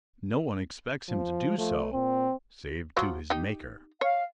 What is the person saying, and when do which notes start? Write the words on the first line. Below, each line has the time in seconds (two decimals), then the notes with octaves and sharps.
No one expects him to do so--save to his Maker.
1.08 F3
1.58 F3 A3
1.93 A#2 C4
2.96 F3 F#3 F4
3.30 D#4 G4
4.01 C#5 F5